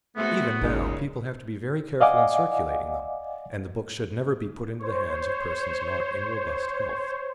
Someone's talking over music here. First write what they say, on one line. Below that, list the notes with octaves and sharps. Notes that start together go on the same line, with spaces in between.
Even now people have to be very careful in circulating them, and the books should never be put into the hands of persons not in robust health.
G#3 A3 B3 C4 F#4
G#1 F#2 A#2 C#3 G#3 D#4
D5 D#5 F5 F#5 G#5 D6
C5 C#5